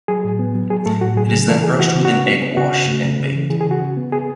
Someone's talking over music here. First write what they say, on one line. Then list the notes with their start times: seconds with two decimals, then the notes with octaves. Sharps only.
It is then brushed with an egg wash and baked.
0.08 F#3 G#4
0.24 A2
0.39 B3
0.55 F#3
0.70 F#3 G#4
0.86 A2 A3 A4
1.01 A2 F#4
1.17 F#3 G#4
1.32 C#3 G#4
1.48 E3 A3 A4
1.64 E3 G#4
1.79 E3 F#4
1.95 C#3
2.05 F#4
2.10 B3
2.26 D4
2.42 B3
2.57 C#3 F#4
2.72 C#3
2.88 A3
3.04 C#3
3.20 C#3
3.35 E3
3.50 E3 G#4
3.61 G#4
3.66 C#3 F#4
3.81 C#3
3.97 B3
4.12 B3 G#4